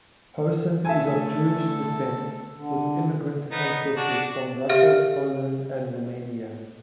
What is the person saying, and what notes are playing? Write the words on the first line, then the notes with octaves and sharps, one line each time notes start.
Posen is of Jewish descent, with immigrant ancestors from Russia, Poland, and Romania.
D3 A3 A4 E5 G#5
D3
B3 D#4
D4 F#4
G4 E5 F5 F6